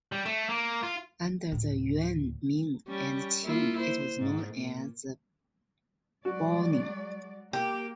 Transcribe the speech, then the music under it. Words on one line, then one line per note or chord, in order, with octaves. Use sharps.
Under the Yuan, Ming, and Qing, it was known as Baoning.
G3
A3
A#3
F4
D2 A2
G3 C#4
A#3 E4 F4
C5
G#2
A#2
F#3 G#3 F#4 D5
A#3 G4